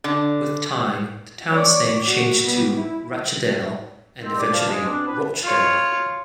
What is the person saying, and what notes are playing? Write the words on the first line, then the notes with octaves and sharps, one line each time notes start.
With time, the town's name changed to "Rachedale" and eventually "Rochdale".
D3
C#5 D5
F#4
G3 B3
E4
D#3 G#3 A#3 C4
D4 G4 D6
C5 D5 F5 A5
G#3
B3 C4 D4
C4 D4 E4 B4
F4 C#5